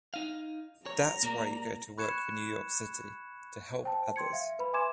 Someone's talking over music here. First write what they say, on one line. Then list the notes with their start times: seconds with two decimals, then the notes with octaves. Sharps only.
That’s why you go to work for New York City, to help others.
0.14 D#4 F5
0.86 C#5 A#5
1.23 A#2 A#3 D5
1.98 B5 C#6 F#6 G#6 C#7 E7
3.83 C5 G5 A5
4.16 G5 C6 G#6 C#7
4.33 E5 F5
4.59 B4 B5
4.73 E5 G#5 C6 D6 G#6 E7